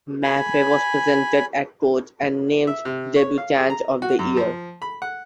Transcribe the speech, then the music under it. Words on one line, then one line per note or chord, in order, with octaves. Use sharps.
Maffey was presented at Court and named Debutante of the Year.
G#5 B5
E5
C3
C#5
F5
G#4
A#5
F#4
F#2
F3
B5
F#5